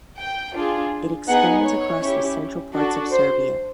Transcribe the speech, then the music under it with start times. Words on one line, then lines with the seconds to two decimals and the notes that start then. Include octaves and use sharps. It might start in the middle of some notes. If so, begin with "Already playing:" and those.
It expands across the central parts of Serbia.
0.18 G5
0.54 D4 F4 G#4
1.28 B3 D#4 G#4 F#5
1.64 C#5
2.01 C#4 E4 G4
2.74 D4 F#4 A4
3.11 C5